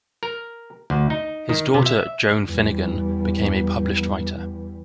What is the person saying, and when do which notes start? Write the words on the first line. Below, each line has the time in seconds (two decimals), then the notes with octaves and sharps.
His daughter Joan Finnigan became a published writer.
0.23 A#4
0.90 D2
1.10 D#4
1.49 D#3
1.74 C3
1.86 E5
2.47 E2 G3